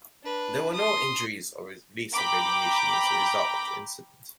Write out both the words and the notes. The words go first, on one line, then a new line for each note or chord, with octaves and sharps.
There were no injuries or release of radiation as a result of the incident.
D4 B4
C6 D#6
G5 A#5 B5 D6